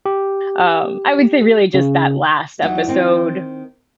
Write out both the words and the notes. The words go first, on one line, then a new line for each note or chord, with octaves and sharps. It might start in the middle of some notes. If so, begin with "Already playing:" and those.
um, I would say really just that last episode,
G4
C#3
E2 F#3 D#4
D#3 C4 D#4